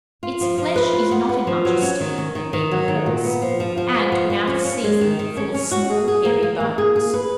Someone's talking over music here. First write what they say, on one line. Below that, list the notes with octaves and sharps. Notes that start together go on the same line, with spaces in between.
Its flesh is not in much esteem, being coarse, and, when out of season, full of small hairy bones.
F4
F3
F3
B4
F4
B3
B4
F3
F#3
C#4
D#3
C#4
D#3
D#3
F#3
D#3
A#2
B3
F3
F3
F3
B3
F3
F3
C#4
C#4
G#3
D#3
D#3
C#4
C#4
F#4
G#4
G#4
A#3
A#3
A#3
G#4
G#4
B4